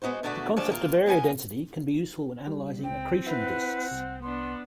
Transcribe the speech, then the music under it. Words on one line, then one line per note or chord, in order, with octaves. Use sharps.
The concept of area density can be useful when analysing accretion disks.
G#3 B3 D#4 F#4 C5
E2 B2 D3 A3 F#4 D5
D#2 D3 F3 C#4 D5 A5
E2 A#3 F4
A#3 B3 B4 G#5
G3
C#2 C4 G5
E4 B4 F#5
C2
B3 D4 C6